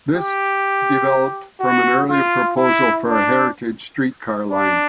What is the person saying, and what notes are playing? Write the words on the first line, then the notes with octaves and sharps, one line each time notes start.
This developed from an earlier proposal for a heritage streetcar line.
G4
F#4
F4
E4
D4
D4